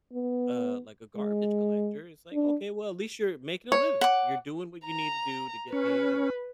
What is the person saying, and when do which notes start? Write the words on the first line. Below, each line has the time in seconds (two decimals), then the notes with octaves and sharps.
uh, like a garbage collector, it's like, "Okay, well, at least you're making a living. You're doing what you need to do to get paid," and
0.13 B3
1.16 G#3
2.33 D4
3.72 C#5
4.01 F#5 D6
4.86 A#5
5.73 C#4 B4